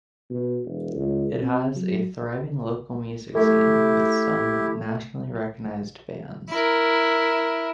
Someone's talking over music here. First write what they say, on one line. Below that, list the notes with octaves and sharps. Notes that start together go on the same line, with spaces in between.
It has a thriving local music scene with some nationally recognized bands.
B2
E1
C#2
C4
F#3
A3 E4 G4
E4 A#4